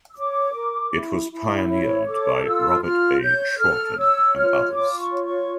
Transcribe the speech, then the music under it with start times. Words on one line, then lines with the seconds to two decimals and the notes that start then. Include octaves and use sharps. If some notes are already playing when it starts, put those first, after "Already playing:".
It was pioneered by Robert A. Schorton, and others.
0.11 E6
0.16 C#5 D6
0.54 A#4
0.93 E4
1.31 E4
1.69 C#5
2.07 A4 D6
2.45 F4 E6
2.83 F4 F6
3.21 C#5 G6
3.59 A4 F6
3.97 C#5 E6
4.35 F4 F6
4.74 F4 D6
4.99 C#6
5.12 C#5
5.24 C#6